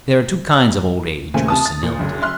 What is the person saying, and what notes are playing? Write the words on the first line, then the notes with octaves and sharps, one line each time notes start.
There are two kinds of old age or senility.
A#2 C#3 A3 C5 G#5
C3 A5 D#6
A6
A#2
F#1 D2
E5 C6 F6 F#6